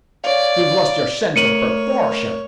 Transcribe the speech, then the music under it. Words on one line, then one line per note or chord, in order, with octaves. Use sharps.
You've lost your sense of proportion.
C#5 D5 F5
A3 A#4 C#5 C#7 D#7 F#7